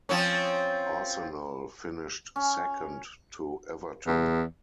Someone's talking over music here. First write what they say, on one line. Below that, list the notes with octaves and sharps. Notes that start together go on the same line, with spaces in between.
Arsenal finished second to Everton.
F3 C4 C#4
C#4
E2